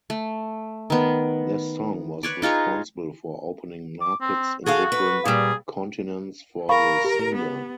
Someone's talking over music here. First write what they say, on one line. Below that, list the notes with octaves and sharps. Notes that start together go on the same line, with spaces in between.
This song was responsible for opening markets in different continents for the singer.
A3
D#3 B3
B4 C#5 D5
D#4 F4 G#4 C#5
D6
C4
F#4 G#4 A4 F5
B4
A#2 G3 G#4
A#4 F5 B5 C#6
G4
B3